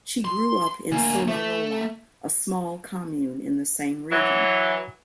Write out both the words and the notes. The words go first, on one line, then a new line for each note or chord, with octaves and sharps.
She grew up in Solarolo, a small "comune" in the same region.
C6
D2 A#3 G#5
A3 E5
E3 F#3